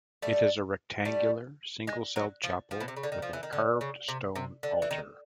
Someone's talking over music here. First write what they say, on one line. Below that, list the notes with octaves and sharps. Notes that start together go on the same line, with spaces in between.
It is a rectangular single-cell chapel with a carved stone altar.
G3 A3
G3 A3
G#3
F#3
F3
F3
B2
C3
C#3
D3
D#3
F3
E3
D#3
D3
C#3
C3
C3
D3
E3
D#3